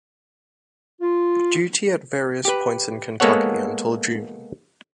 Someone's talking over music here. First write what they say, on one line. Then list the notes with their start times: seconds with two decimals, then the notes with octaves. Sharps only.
Duty at various points in Kentucky until June.
1.01 F4
2.45 G4 B4
3.20 G#3 A#3 B3 A4 C#5 F#5